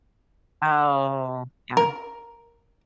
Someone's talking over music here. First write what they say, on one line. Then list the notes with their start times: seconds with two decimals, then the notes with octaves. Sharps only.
Oh, yeah.
1.77 A#4